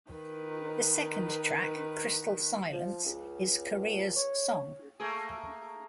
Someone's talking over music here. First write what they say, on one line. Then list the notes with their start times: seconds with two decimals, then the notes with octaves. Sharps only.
The second track, "Crystal Silence", is Corea's song.
0.11 D#3 B4
2.72 F3
3.04 C#2
4.16 C#5
5.00 A3 A#3 G#4